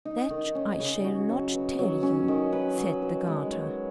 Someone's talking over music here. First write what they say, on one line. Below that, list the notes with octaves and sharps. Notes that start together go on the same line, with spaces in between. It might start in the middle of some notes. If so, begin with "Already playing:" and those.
"That I shall not tell you!" said the garter.
D#4
D#3
C#4
C#3
F#4
F#3
B4
F#3
C#4
D#3
B4
F#3
B4
G#3
C#5